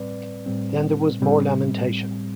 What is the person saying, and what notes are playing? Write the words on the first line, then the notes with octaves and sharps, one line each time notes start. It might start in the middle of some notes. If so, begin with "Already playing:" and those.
Then there was more lamentation.
Already playing: A2 G3 C4 B4 D5
A2 G3 C4
A2 G3 C4